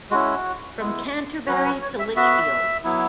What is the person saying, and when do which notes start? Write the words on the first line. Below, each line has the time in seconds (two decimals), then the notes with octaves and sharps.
"From Canterbury to Lichfield".
0.11 G#3 C#4 E4 F#4
0.80 G#3 B3 E4
1.47 F#3 C#4 F#4 B4
1.65 B4
1.82 C#5
1.99 E5
2.16 B3 F#4 E5
2.84 F#3 B3 E4